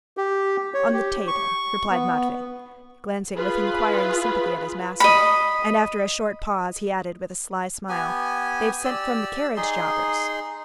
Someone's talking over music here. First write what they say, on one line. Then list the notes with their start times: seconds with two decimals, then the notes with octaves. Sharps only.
"On the table," replied Matvey, glancing with inquiring sympathy at his master; and, after a short pause, he added with a sly smile, "They've sent from the carriage-jobbers."
0.17 G4
0.74 C#5
0.93 G4
1.27 C#6
1.90 B3
3.36 F4 G#4 B4 B5
5.00 D#5 B5
7.89 B3 G4 G#5
8.85 G4 D5 E6
9.57 D#4 G#4 C6